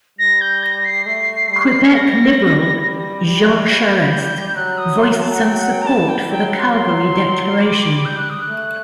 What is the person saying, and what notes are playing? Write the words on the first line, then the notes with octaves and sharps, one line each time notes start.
Quebec Liberal Jean Charest voiced some support for the Calgary Declaration.
G3 A#6
G6
A#6
C7
A3 C7
G3
A#6
G3
G3
G3 A#6
A6
G6
F#3 F#6
D#6
C6
A#5
A5
F#5
F#3 G5
F#5
G5
A#5
G3 A5
G5
F#3 G5
C6
C6
G3 D6
G6
F#6
D#6
F#6
A3